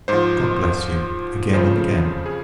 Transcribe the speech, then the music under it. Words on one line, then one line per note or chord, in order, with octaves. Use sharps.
God bless you, again and again!
G#2 F3 C5
F2 C#3 F3 C5
G#4